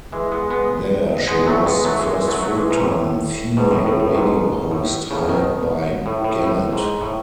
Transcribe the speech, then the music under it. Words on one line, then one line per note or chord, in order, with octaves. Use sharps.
There she was the first full-time female radio host hired by Gannett.
E3 G#3
G#3 B3
G#3 B3
G#3 B3
F#3 A3
G#3 B3
F#3 A3
E3 G#3
E3 G#3
F#3 A3
F#3 A3
E3 G#3
G#2 B2
A2
G#2 B2
A2
A2
A2
G#2 B2
A2
A2 C#3
B2 D#3
A2
A2
A2
G#2
A2